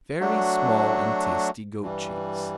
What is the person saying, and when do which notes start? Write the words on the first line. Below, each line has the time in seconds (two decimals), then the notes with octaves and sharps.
Very small and tasty goat cheese.
0.20 F#3 A3 D4 F#4
1.82 G2 E3 G3